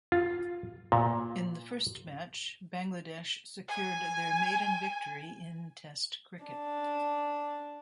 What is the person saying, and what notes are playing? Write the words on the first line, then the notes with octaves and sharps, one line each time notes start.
In the first match, Bangladesh secured their maiden victory in Test cricket.
F4
A#2
G#5
D4